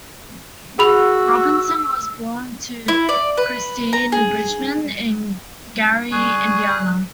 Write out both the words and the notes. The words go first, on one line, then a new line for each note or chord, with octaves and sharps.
Robinson was born to Christine Bridgeman in Gary, Indiana.
F#4 G#4 B5 E6 F7
E4
D5
B4
A#5
G#4
G3 G#4 C#6 F#6